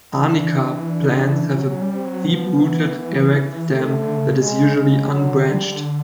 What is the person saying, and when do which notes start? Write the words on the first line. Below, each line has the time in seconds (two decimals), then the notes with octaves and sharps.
"Arnica" plants have a deep-rooted, erect stem that is usually unbranched.
0.16 E3 D4
0.88 D4
1.57 F#3 C#4
1.82 G3
1.93 C4
2.05 F#3
2.28 F3 B3
2.63 E3
3.69 D#3 A3
3.93 D3
4.17 C#3
4.40 C#3 G#3
4.76 G#3
5.11 D3 F#3
5.46 G3